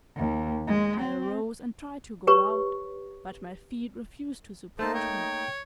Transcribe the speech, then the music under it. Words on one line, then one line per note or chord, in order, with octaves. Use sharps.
I arose and tried to go out, but my feet refused to support me.
D#2
G#3
C4
G4 B4 C#5 C#6
A3 A#3 D#4 A4 C5 A5
C#5 G5